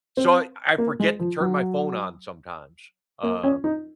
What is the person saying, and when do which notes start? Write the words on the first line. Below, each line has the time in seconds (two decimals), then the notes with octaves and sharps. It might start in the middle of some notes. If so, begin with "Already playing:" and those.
so, I I forget to turn my phone on sometimes, uh
0.17 C4
0.78 A#3
1.00 G#3
1.19 F3
1.40 F#3
3.23 A#3
3.43 C#4
3.64 D#4